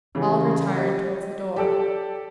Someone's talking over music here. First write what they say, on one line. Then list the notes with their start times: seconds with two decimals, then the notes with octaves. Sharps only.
All retired towards the door.
0.15 C#3 E3 G3
0.75 G4 D#5
1.56 G4 A4 D5